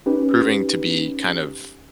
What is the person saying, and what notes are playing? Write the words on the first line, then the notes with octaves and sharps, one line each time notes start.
proving to be kind of
C#4 D#4 G4 B4